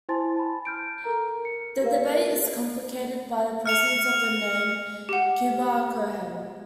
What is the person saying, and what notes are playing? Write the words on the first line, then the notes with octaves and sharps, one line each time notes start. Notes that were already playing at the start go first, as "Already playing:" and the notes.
The debate is complicated by the presence of the name Kiabar Kohen.
E4 C5 G#5 A5 C6 A6
A5 B5
F6 G6 D7
A4 A#4 A#5
C#7
G4 A#4 B4 F5
F6 C#7 F7
G4 F#5